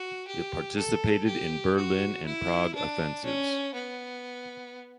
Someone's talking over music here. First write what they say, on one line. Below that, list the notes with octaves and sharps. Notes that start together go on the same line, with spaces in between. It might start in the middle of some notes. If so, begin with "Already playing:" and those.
It participated in Berlin and Prague offensives.
Already playing: F#4
G4
A4
G4
F#4
E4
D4
C#4
B3